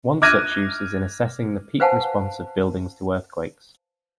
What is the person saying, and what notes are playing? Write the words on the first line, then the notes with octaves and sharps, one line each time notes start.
One such use is in assessing the peak response of buildings to earthquakes.
D6 F6 F#6 G#6 A#6 D#7
B4 C5 F5 F#5 G#5 A5